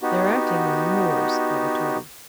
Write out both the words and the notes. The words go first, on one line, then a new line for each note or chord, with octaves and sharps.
"They're acting on yours," I retorted.
B3 D#4 F#4 G4